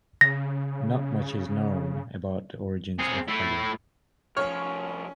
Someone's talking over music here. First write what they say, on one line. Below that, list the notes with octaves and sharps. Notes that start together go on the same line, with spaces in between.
Not much is known about the origins of Ali.
C#3 A#6
C4 G#4
A3 E4
C2 F3 C#4 C#5 F6